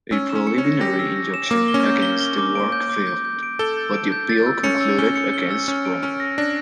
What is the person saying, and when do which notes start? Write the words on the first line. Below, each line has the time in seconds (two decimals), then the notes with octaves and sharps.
A preliminary injunction against the work failed, but the appeal concluded against Braun.
0.12 C#4 E6
0.29 E7
0.35 C#4
0.47 C#7
0.58 C#4
0.64 A#6
0.81 G4 A#6
0.99 E6
1.16 A#6
1.34 E7
1.51 A#3 D6
1.68 G7
1.74 C#4
1.86 G6
2.02 G7
2.21 G7
2.38 D6
2.55 D7
2.72 G6
2.90 D6
3.07 G6
3.25 G6
3.43 D7
3.59 A4 G7
3.77 G6
3.94 D7
4.12 G6
4.29 A6
4.46 E6
4.64 C#4 C#7
4.81 E6
4.98 C#4 G7
5.15 C#7
5.34 G7
5.51 E6
5.68 C#4 F6
5.85 D7
6.02 C#4 F6
6.20 A#6
6.38 D4 A#6